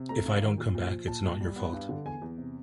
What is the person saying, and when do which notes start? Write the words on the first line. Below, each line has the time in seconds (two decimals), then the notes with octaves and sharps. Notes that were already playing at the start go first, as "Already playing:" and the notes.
If I don't come back, it's not your fault.
Already playing: C3
0.09 A3 A#5
0.26 G2
0.42 D#3
0.58 A#2
0.75 A#2
0.91 F3
1.07 A#2 A5
1.23 A#2
1.41 G3
1.56 B3
1.73 G2
1.89 D3
2.05 E2 G#5
2.22 E2
2.38 C3